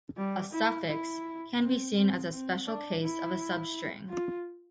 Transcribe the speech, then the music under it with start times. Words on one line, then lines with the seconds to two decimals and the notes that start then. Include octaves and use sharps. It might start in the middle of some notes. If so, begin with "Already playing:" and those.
A suffix can be seen as a special case of a substring.
0.17 G3
0.52 E4
0.88 E4
1.60 C4
1.95 C4
2.31 C4
2.67 D4
3.02 E4
4.09 F4